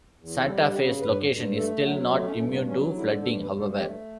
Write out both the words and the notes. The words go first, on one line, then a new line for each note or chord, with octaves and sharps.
Santa Fe's location is still not immune to flooding, however.
E2
G3 A4
A4
C#3 G4
C#4
G2 B4
G2
A3 A4
F#3 F#4
A3 D4
C#4
G2 C#4
B3
F#3 C#4
D3 E4
G2 A4
B4
G2
A4
A3 G4